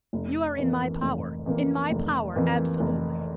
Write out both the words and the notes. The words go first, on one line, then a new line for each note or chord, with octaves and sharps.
You are in my power--in my power absolutely.
F1
F2 E3 A#3
F1
F2 E3 A#3
F1
F2 E3 A#3
F1